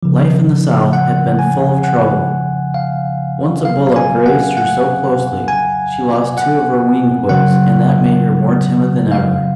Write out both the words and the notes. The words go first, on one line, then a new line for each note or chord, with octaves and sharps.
Life in the South had been full of trouble. Once a bullet grazed her so closely she lost two of her wing quills, and that made her more timid than ever.
C#3 F3
F#5
G#5
F#5
F5
C#3 F#3 F5
G#5
F#5
F#5
G#5
F#5
C#3 F#3 F#5
F5